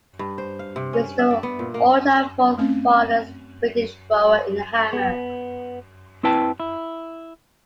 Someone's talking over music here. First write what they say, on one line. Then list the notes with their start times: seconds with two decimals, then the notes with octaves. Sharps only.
He is the all-time fourth farthest British thrower in the hammer.
0.19 G2
0.38 C5
0.59 F5
0.76 C3
0.93 C#4
1.19 E5
1.31 D5
1.43 B3
1.59 A#2
1.74 A#3
2.58 A3 C4 C#4
4.93 B3
6.23 C4 E4 B4 G5 A5
6.60 E4